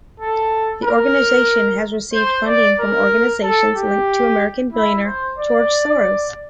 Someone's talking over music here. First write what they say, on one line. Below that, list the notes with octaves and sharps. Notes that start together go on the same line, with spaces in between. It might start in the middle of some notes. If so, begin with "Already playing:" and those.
The organization has received funding from organizations linked to American billionaire George Soros.
A4
A#4
C5
D5
A#4
A4
G4
E4
C5
D5